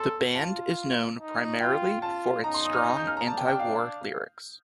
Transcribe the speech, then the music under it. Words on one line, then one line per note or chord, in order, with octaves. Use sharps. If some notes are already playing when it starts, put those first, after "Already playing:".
The band is known primarily for its strong anti-war lyrics.
Already playing: A4 C6
F4 A5
D#4
F4 G5
F4 A5
D#4 A#5
C6
D#6
F6
G6
F6
A#5
D4 A5
G5
G5
F5